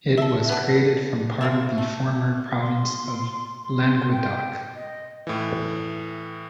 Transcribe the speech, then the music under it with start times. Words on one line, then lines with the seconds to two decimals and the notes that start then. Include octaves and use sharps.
It was created from part of the former province of Languedoc.
0.17 A4 E5
0.49 B3 D4
1.41 G#3 A#3 E5
1.78 A3
2.59 C6
3.63 C6
4.10 G5
4.76 D#5
5.27 A2 E3